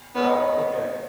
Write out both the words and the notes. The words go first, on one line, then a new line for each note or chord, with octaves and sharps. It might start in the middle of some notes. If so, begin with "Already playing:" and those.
Oh, okay.
B3 C#5
D#5
C#5
D#5